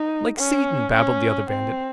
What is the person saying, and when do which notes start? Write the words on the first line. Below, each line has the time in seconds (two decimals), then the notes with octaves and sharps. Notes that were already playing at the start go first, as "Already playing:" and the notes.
"Like Satan!" babbled the other bandit.
Already playing: D#4
0.37 C#4
0.94 C#4
1.50 C4